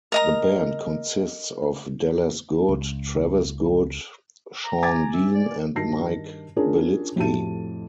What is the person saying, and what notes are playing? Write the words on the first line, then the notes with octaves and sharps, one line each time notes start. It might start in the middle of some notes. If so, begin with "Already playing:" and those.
The band consists of Dallas Good, Travis Good, Sean Dean and Mike Belitsky.
A#4 D#5 A#5
C#2
A#5
G#5 D6 G#6 A6
E5
D5
G2 D#3 F#4 A5 A#6 C7
C#4 D4 F4 G#4 A#4
F2 A2 F#4 G4 A5 D#7